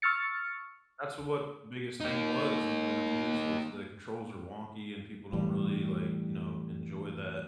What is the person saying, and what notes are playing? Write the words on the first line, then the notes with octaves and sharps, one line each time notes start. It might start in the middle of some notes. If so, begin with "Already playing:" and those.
That's, uh, what the biggest thing was in the reviews was the controls are wonky and people don't really, like, you know, enjoy that.
C#6 E6 F6 A6 C#7
A#3 D#4
A2 E3 G3